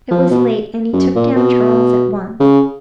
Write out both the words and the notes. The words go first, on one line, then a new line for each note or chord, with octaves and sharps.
It was late, and he took down Charles at once.
F3
B2
F#2
A#2
B2
C#3